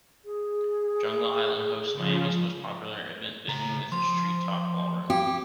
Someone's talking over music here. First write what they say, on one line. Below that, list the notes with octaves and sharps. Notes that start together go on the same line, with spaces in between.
Jungle Island hosts Miami's most popular event venue with its Treetop Ballroom.
G#4
C#3 F3
C#3 A#5
F3 C6
C4 G4